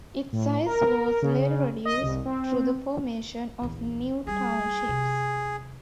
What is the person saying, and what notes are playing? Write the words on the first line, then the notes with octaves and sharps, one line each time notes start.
Its size was later reduced through the formation of new townships.
A2
A#4
C#3
D#5
C2
C4
A#1 E2
G3 G#4
C3